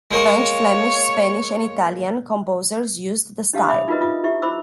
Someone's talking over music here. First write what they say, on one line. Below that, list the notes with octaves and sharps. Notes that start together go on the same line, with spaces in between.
French, Flemish, Spanish and Italian composers used the style.
G#3 A#3 G#4 C#5
D4 G4 F5 A5 D#6
E5 B5 D6 D#6
D#4 F4 F#4 A#4 B4 D#5
D#4 F4 D#6
E4 F4 G4 E5 C#6
E4 C5 B5 D6 E6